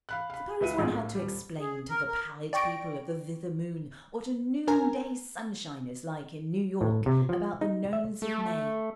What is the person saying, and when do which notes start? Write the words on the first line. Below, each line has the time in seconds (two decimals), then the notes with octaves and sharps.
Suppose one had to explain to the pallid people of the thither moon what a noonday sunshine is like in New York about the Nones of May?
0.09 F5 B5 F#6
0.30 F5 B5
0.61 C#2 B4 E5 D#7
0.78 A#1 G#2 F3 F#3 G#4
0.90 A2 A#3
1.15 D#1 G3
1.59 G#4
1.89 A#4
2.08 A#4
2.53 D5 G5 C#6 A#6 D7
4.67 D4 A#4 G#5 A#5
6.81 A2
7.06 C3
7.29 F3
7.61 D#4
7.93 E5
8.22 A3